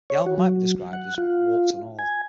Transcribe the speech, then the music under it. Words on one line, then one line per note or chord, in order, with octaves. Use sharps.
The album might be described as "warts and all".
C#5
F#4
F#3
F#5
F4
G#5